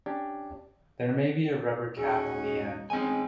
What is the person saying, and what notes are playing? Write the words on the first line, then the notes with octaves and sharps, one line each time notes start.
There may be a rubber cap on the end.
C#4 D4 G4
D#1 C#4 D#4 F#4 G#4 E6
A1 A2 G#3 C4 G#5